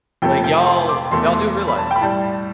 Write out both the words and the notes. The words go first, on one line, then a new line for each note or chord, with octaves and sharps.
Like, y'all y'all do realize this."
F2 C3 F3 A3 G5
G5
C6
D6
E2 B2 A3 C6
B5
A5
G5
B5
A2 G3 A5